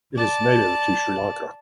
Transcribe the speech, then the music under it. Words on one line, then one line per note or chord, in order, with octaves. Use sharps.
It is native to Sri Lanka.
D5 A5